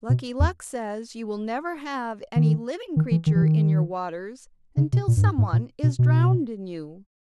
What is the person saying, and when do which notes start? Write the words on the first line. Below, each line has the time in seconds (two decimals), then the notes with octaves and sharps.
Lucky Luck says you will never have any living creature in your waters until someone is drowned in you.'
0.09 B2
0.40 E2
2.36 D#3
2.96 D#3
3.11 E3
3.26 D#3
3.35 E3
3.42 D#3
4.77 C#3
4.93 B2
5.08 A#2
5.17 G2
5.23 G#2
5.38 G#2
5.53 A#2
5.83 B2
5.99 B2